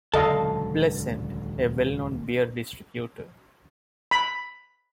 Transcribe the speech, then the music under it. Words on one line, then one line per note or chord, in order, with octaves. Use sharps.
Pleasant, a well-known beer distributor.
D#1 C#2 D3 F#3 A4 D#5 F5 A5
B5